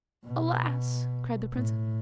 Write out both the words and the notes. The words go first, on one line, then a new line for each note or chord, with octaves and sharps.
'Alas!' cried the princess.
B2
A2